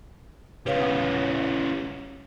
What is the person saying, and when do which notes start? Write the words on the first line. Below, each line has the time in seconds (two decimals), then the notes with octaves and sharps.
Smell some fresh air.
0.66 C#3 G3 B4 C#5 F5